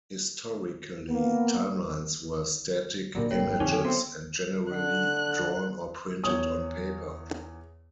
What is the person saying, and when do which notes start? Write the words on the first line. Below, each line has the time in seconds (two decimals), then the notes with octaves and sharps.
Historically, timelines were static images, and generally drawn or printed on paper.
1.10 A#3 B3
3.15 A#2 D3 F#3 G3 A#3 A#4
3.31 F1 A2 C3 C#5 G5
3.44 G#1
3.60 F2 A#2 D3 D#3 C#4 D#4
3.72 F#3 A4
3.85 B3 C4
4.71 D3 F#6
6.24 E2 C#5 D#6